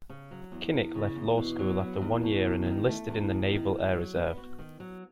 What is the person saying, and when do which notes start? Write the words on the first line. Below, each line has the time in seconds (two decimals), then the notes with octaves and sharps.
Kinnick left law school after one year and enlisted in the Naval Air Reserve.
0.10 C#3
0.31 F#3
0.52 E2
0.73 E2
0.95 C#3
1.16 E2
1.38 B2
1.59 F#3
1.80 B3
2.01 E2
2.23 B2
2.45 E2
2.66 D#3
2.88 A3
3.09 E2
3.30 E2
3.51 D#3
3.73 D#3
3.94 F#3
4.16 B3
4.37 F#4
4.59 D#3
4.80 F#3